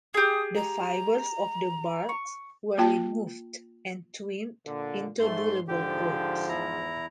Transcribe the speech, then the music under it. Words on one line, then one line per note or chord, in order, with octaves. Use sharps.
The fibers of the barks were removed and twined into durable ropes.
G4 G#4 D#6
A#5
C#6
A#3 F4 G5 A5
A#2 D3
G#2 A3 C6
G#2 D3 F3 G4
E2 E4 A#5